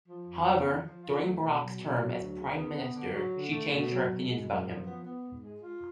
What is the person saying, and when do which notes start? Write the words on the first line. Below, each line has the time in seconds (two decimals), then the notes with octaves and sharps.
However, during Barak's term as prime minister she changed her opinions about him.
0.09 F3
0.27 F2
0.46 B3
0.65 F2
0.85 F3
1.03 F4
1.23 A3
1.41 B2
1.61 F#3
1.80 B2
1.99 F#3
2.18 D2
2.38 C#3
2.56 B3
2.75 B3
2.94 D3
3.13 F#3
3.33 D3
3.51 A3
3.71 B2
3.90 F#3
4.10 B2
4.29 G#3
4.48 F#2
4.66 F3
4.86 B3
5.05 B3
5.24 G#2
5.42 G#3
5.61 F4